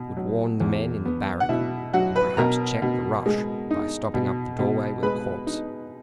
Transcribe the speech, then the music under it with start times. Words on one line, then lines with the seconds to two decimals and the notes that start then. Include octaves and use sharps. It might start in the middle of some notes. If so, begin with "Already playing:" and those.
It would warn the men in the barrack, and perhaps check the rush by stopping up the doorway with a corpse.
Already playing: B2
0.17 F#3
0.60 E2
1.05 B3
1.40 F#5
1.49 B2 E4 E5
1.94 F#3 F#4 F#5
2.16 B4 B5
2.37 B2 A#4 A#5
2.82 B2
3.26 G#3
3.71 D#4
4.14 B2
4.59 B2
5.03 G#3 B4 B5
5.47 D#4